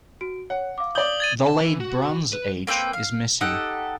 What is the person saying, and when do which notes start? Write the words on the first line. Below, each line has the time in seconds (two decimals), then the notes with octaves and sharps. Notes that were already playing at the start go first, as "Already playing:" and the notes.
The Late Bronze Age is missing.
0.21 F#4 D7
0.50 C#5 F#5
0.78 F5 D6
0.95 D5 D#6 G6 F#7 G7
1.20 G#6 A6 D#7
1.47 A5
1.60 E3
1.80 F#4
2.33 B4
2.67 A#3 C4 B4 G5
2.93 F5
3.41 D#4 G4 A4 F#5